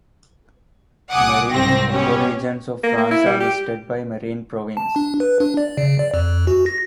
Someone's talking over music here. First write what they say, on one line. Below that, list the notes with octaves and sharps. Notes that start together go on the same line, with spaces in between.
Marine ecoregions of France are listed by marine province.
C2 F#5 G#5 D6 D#6
C2 G#2 C3 C4 A#6
B3 C#4 G4 C#5
A#3
A#3
E4
G3
G4
A5
D4
B4
D4
D5
C#3
D5
F2
F#4
A#6